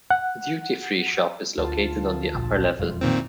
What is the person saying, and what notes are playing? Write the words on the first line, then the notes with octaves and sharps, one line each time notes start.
The duty-free shop is located on the upper level.
F#5
D2 F4 A5
A#1 F3
E1 F2 G3 F4
A#2 D#3 E3 C4